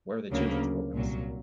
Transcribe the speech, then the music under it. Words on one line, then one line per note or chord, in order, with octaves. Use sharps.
Where are the children’s programs?
D2 C#3 F#3 A#3
C2 A#2 F#3